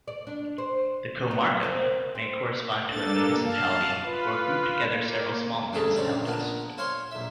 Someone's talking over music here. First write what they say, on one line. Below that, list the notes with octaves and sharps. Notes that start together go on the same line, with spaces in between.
The "comarca" may correspond to a municipality, or group together several small municipalities.
D5
D4
C5
B3
C4 A#4
C4
G2 A#3 D4 A4 A6
F5 A5
F4 B4
A#3
A1 D2 G2 G#4 A4
A#1 C#3 C4 D5
A#2 A#3 B3 D4
C5 C#5 F5 G#5 C6
A#1 E5